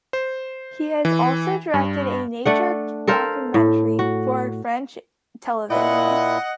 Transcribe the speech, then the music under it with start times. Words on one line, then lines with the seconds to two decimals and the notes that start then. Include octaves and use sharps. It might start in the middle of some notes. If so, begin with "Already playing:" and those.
He has also directed a nature documentary for French television.
0.13 C5
1.05 E3
1.74 G2
2.46 A3 D4 F#5
3.08 A4 A#4 C5 F5
3.54 A2
3.99 F#4
5.70 A#2 E4 D#5 F#5